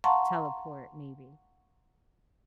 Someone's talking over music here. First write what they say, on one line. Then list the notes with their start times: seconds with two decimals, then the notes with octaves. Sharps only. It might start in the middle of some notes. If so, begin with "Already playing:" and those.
teleport, maybe.
0.04 F5 F#5 A5 A#5 C6 C#6